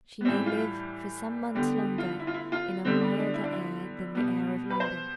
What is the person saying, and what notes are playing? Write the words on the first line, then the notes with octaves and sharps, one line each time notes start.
She may live for some months longer in a milder air than the air of London.
B3
A2 E3 G3 C4
F4
D3 G3 B3 G4
G4
F4
E4
F4
E4
F4
D3 G3 B3 C4
D4
D4
E4
D4
E4
B2 G3 B3
B4
C5